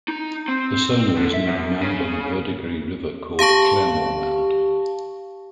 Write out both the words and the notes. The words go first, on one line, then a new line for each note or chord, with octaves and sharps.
Pasona was near a mound on the Verdigris River called Claremore Mound.
D#4
C4
D3
E5
F#2
C#3
G4 F5 A5 C#6